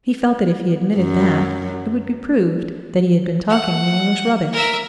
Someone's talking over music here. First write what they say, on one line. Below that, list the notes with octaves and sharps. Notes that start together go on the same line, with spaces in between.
He felt that if he admitted that, it would be proved that he had been talking meaningless rubbish.
F#2
F#5
A#4 E5